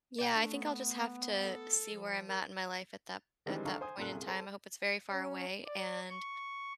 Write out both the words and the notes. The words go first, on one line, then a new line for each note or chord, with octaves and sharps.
Yeah, I think I'll just have to see where I'm at in my life at that at that point in time. I hope it's very far away and
B2 D5 G5
A3 D4
B3
A4
F3
A#4
D#3 E3 G3 G#3 C4 D4
D#3 D4 A4 F5 A#5 C#6
C5 G#5 D#6
F#2 A#2 G3 A4 F#6
C2 G#4
A4 C5 A5
C#4
D5
C#6